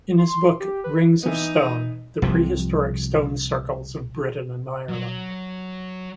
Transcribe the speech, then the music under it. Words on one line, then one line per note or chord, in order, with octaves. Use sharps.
In his book Rings of Stone: The Prehistoric Stone Circles of Britain and Ireland.
C6
G4
B4
E3 B3 D#4
C2 C3 F3
F#3